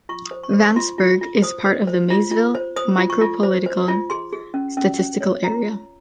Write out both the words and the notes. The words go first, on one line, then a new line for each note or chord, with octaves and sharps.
Vanceburg is part of the Maysville Micropolitan Statistical Area.
F4 C#6
D#6
C5
C#6
C5
C#6
F4 C6
F4
F4
C5 D#6
C5
C5
F4
F4
C5
C5 D#6
F4
C#6
F4
C5
C5
F4
G#4 C6
G#4
C#4
C#4
C#4
C#5
F4 A#5
F4